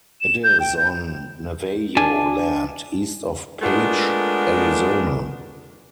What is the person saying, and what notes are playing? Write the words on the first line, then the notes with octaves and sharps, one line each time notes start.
It is on Navajo land east of Page, Arizona.
E7
G6
G5
G6
D4 G#5 A5
G#3 A3 B3 D4 F4 A#4